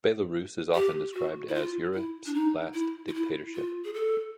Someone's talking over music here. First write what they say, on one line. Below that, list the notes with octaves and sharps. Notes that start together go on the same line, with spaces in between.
Belarus is often described as "Europe's last dictatorship".
G4
F#4
E4
F4
E4
D4
D#4
E4
F4
E4
F4
G#4
A4